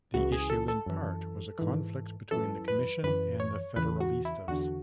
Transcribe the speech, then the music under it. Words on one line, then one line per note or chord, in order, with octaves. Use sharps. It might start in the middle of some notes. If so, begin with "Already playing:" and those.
The issue in part was a conflict between the Commission and the Federalistas.
C#2 C#3 E3 F#4
G#4
A4
A4
F#2 E3
G#2 E3
F#2 E3 A4
B4
F#2 E3 B4
C#5
E2 C#3 E3 B4
F#4
E4
E2 D3 F#4